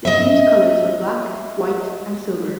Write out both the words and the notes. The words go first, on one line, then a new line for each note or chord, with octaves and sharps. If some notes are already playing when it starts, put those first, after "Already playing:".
The team's colours were black, white and silver.
D#5 E5